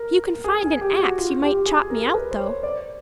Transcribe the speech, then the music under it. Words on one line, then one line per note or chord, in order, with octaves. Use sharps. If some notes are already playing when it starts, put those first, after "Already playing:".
If you can find an axe you might chop me out, though.
Already playing: A#4
G#4
G#4
G4
F#4
F4
G4
G4
G#4
A#4
B4
C5
C#5
D5